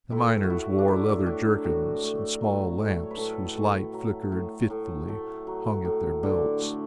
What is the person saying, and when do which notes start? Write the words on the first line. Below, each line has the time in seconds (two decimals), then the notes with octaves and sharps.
The miners wore leather jerkins, and small lamps, whose light flickered fitfully, hung at their belts.
0.12 A2 E4
0.43 F#4
0.50 A3 E4
0.78 D4
0.88 F#3 E4
1.26 A2 D4
1.64 A2 F#4
2.03 A3
2.41 F#3
2.79 A2
3.03 C#5
3.11 B4
3.17 A2 A4
3.55 A3
3.93 F#3
4.32 A2
4.70 A2
5.08 A3
5.47 F#3
5.85 A2
6.23 D3 D5
6.61 A3